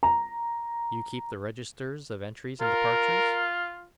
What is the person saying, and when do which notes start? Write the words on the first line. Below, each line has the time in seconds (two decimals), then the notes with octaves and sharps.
"You keep the registers of entries and departures?"
0.03 A#5
2.61 F4 A#4